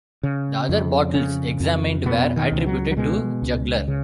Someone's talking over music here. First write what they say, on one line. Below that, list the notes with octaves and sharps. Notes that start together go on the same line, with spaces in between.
The other bottles examined were attributed to Juglar.
C#3
F2
C#3 C#4
F2
B2 B3
D#3
C#2
F#3
F#3
B2 G#3
C#2
C#3